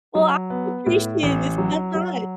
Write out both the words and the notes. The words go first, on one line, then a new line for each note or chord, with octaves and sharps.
Well, I appreciated this, so fun
F#3
B3
A2
A1
F#3
F#3